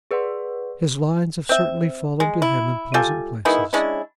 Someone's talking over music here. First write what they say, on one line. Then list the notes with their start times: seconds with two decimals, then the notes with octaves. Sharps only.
His lines have certainly fallen to him in pleasant places.
0.11 G#4 B4 D5 F#5 C6
1.49 C4 E5
2.20 G#3
2.42 E4
2.94 G3 F4 A4 G#5
3.45 D#3 G#3 B3 E4
3.73 G#3 C#4 D4 E4